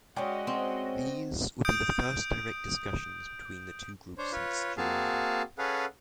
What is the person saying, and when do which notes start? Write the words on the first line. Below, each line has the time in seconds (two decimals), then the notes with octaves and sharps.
These would be the first direct discussions between the two groups since July.
0.16 G#3 C#4 F#4 D5 D#5 G5
0.47 C4
1.65 D#6 G6 D7
4.18 D4 C5 C#5
4.32 F4 B4 C#5
4.77 A#3 C4 F#4 G#4 F5 A5
5.58 C#4 G#4 A4 B4 F5 F#5